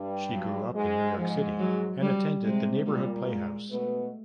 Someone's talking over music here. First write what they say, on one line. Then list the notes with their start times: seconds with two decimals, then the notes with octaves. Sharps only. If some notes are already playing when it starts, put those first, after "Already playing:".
She grew up in New York City and attended the Neighborhood Playhouse.
Already playing: G2 G3
0.32 F#3
0.74 G#2 G#3
1.17 G#2 F3 G#3
1.59 F#3
2.02 G3
2.44 C3 G#3 C4
2.85 A#2 G3 A#3
3.28 G#3
3.70 B2 A3 B3